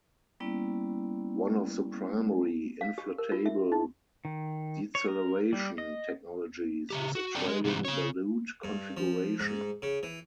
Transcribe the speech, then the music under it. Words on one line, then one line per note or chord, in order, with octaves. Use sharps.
One of the primary inflatable deceleration technologies is a trailing ballute configuration.
G3 A#3 B3 C#4 E4 D5
F5
G4
A#4
F4
E5
D#4
D#3
C#5
A#4
G3
D#5
C#3 E3 G4
F#4
F#3 C4 D4 A4 D5 G5
G#3 G#4
G#2 C3 E3 G3
C#3 C#5
G2
F3
G#2
C#3
E3